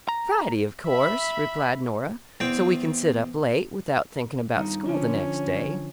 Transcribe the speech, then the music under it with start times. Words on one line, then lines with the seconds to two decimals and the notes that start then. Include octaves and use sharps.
"Friday, of course," replied Nora, "so we can sit up late without thinking about school the next day."
0.09 A#5
0.86 E5 B5
2.40 E2 C4 G5
4.55 G2 D#3
4.86 D3 F3 C#4